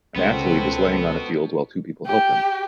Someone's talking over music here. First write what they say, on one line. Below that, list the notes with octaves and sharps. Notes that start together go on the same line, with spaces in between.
An athlete is laying on a field while two people help him.
C#2 B3 C4 F#4 A4
G4